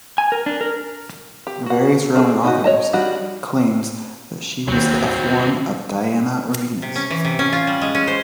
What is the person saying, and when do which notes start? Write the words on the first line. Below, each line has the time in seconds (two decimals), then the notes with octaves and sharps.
Various Roman authors claims that she was a form of Diana or Venus.
0.18 G#5
0.32 A#4
0.46 D4
0.61 A#4
1.47 G4
1.66 F#4 F#5
2.15 C4 D#4 E4 G#4 A4
2.43 C#4 D#4 E4 F#4
2.64 C#5 D#5 A5
2.93 F3 G3 D4 D#4 F#4
4.68 D#2 F#3 C4
6.82 C3
6.96 C#4
7.11 E3
7.25 C3
7.39 C#4
7.53 F4
7.67 G3
7.82 G#3
7.95 C#4
8.08 C5